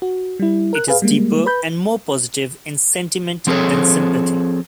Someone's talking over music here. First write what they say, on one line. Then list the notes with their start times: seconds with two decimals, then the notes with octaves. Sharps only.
It is deeper and more positive in sentiment than sympathy.
0.02 F#4
0.40 G3 E4
0.73 A#4 F#6
0.88 G#4 B4 F5
1.02 G3 G#3 A#3
1.46 B4 B5 G6
3.47 F3 C4 G#4 A4 C#5